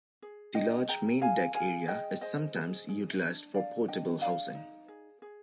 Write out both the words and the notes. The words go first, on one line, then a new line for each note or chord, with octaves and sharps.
The large main deck area is sometimes utilized for portable housing.
G#4
D4 D#5 G5
G#4 G5 A#5
G#4 F5 G#5
G#4 F5 G#5
G#4 D#5 G5
G#4 C5 D#5
G#4
G#4
D4
D4 D5 F5
D4 D#5 G5
G#4 D5 F5
D#4
G#4
G#4